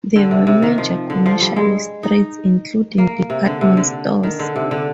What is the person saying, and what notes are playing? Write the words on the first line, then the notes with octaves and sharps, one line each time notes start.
There were major commercial streets including department stores.
D3
C3
C3
D#3
F3
D3
F3
G3
G#3
D#4
A#3
C3
D3
C3
D3
D#3
D3
C3
D3